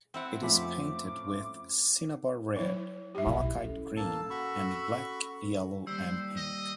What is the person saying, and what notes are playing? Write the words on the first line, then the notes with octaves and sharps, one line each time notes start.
It is painted with cinnabar red, malachite green, and black, yellow, and pink.
C4 E4 F#5
F2 A3 C#4 F4 B5 D6
F#3 E4 C5
G4 E5
B1 E4
C#4 A4
A#3 A5 E6
F#4 B5 C#6
D#2 G3 C5 E6
D#5